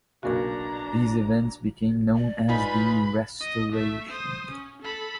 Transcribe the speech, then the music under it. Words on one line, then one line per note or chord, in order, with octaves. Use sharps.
These events became known as the "Restoration".
B1 A#2 C#3 D4 F#4 A#4 A#5
D5
D#4 F4 B4 G#5 B5
D#5 D#6
A3 E5
C5 D#6
C#4
A4 B5